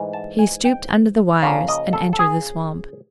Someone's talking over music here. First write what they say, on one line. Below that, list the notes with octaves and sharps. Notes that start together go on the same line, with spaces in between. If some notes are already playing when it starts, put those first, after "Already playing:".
He stooped under the wires and entered the swamp.
Already playing: G#2 E3 A3
A5
G#5
G5
C#3 F3 A#3 F5
D#5
A4
A4
G#4